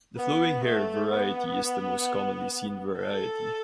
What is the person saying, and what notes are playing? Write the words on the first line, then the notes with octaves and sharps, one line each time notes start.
The flowing hair variety is the most commonly seen variety.
B3
A3
B3
A4